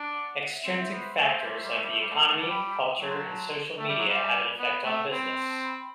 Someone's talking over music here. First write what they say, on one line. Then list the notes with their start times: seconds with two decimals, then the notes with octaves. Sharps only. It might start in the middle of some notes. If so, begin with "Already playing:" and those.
Extrinsic factors like the economy, culture and social media have an effect on business.
Already playing: D4
0.12 D5 F#5
0.38 F#5
0.51 E5
0.63 C4 D5
0.75 C5 E5
0.92 B3
1.18 A3
1.44 G3
1.53 A3
1.62 G3
1.72 A3
1.82 G3
1.91 A3
2.01 G3
2.10 A3
2.19 G3 F#5 A5
2.29 A3
2.39 G3
2.48 G5 B5
3.00 F#3 A5 C6
3.27 A5 C6
3.79 A3 E5 G5
3.88 G3
3.98 F#3
4.05 G3 C5 E5
4.31 B4 D5
4.58 B3 B4
4.84 A3 F#5 A5
5.10 C4 G5 B5
5.37 A5 C6
5.63 G5 B5